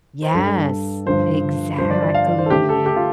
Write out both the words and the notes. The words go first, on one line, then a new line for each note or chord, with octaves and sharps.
Yes, exactly.
C5
G2 G3 D4 A4
G2 D3 F3 C5
G2 D3 F3 D4 C5
D5
D5
F5
D5
C5
A4
D3 A3 D4 G4
A4
G4
F4